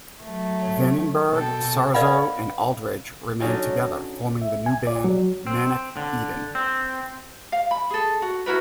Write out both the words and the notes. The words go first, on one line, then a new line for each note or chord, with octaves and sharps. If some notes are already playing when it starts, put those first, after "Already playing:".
Vandenberg, Sarzo, and Aldridge remained together, forming the new band Manic Eden.
F#3 A3
B2 A4 G5
B4 D5 D#5 F5 F#5 B5
D3 F#3 C#4 D#4
E5
G#5
D5
F#3
C4
D3
C4
F5
B5
G#4 A4
F#4
E4 F#4 A#4 B4